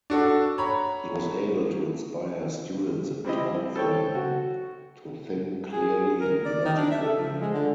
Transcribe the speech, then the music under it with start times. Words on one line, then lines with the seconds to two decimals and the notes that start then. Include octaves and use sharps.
He was able to inspire students and taught them to think clearly and logically.
0.10 D4 F#4 A4
0.58 C#5 A#5 B5
3.25 G3 C4 E4 D#5
3.76 A4 C5 C#5 G5
4.15 F#4
5.73 G#4
6.20 A#4
6.45 D5
6.65 D#3
6.77 D4
6.91 E5
7.03 A4
7.19 F3
7.41 G#3
7.54 D3